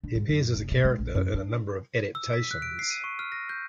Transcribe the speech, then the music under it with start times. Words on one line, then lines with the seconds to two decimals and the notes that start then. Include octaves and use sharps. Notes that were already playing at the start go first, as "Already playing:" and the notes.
He appears as a character in a number of adaptations.
0.03 D3
0.15 G#2
0.29 F#2
0.55 F1
0.71 A#2
0.85 G#3
0.99 A#1
1.15 F#2
1.34 D4
2.15 E6
2.33 B6
2.51 F#6
2.62 D7
2.79 C7
2.91 D#7
3.04 C#6
3.19 F6
3.32 A#6
3.49 G6